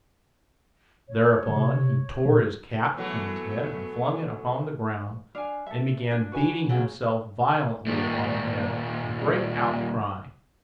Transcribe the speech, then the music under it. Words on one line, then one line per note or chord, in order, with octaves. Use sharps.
Thereupon he tore his cap from his head and flung it upon the ground, and began beating himself violently upon the head with great outcrying.
C#5
C3
A#2
E3 F#3 A3 B3
D4 F5 G#5
A4 E5
D4
F#4 B4 G#5
C#3 F#3
D#2 A#2